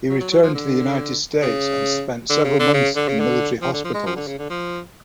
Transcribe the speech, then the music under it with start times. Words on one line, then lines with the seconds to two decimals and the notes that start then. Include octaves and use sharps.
He returned to the United States and spent several months in military hospitals.
0.09 F#3
0.20 F#3
0.31 F#3
0.42 F3
0.54 D3
1.42 C#3
2.30 D3
2.44 C#3
2.59 D3
2.73 C#3
2.96 D3
3.08 C#3
3.19 D3
3.62 F3
3.73 D3
3.84 F3
3.94 G#3
4.06 F3
4.16 D3
4.27 C#3
4.39 D3
4.50 F3